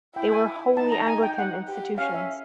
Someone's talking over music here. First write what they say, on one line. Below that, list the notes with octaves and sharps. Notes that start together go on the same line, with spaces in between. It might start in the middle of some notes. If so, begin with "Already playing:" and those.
They were wholly Anglican institutions.
E4 G5
G#5
D#4 A5
A#5
G#5
G5
F#5
G4
C#4 F5
E5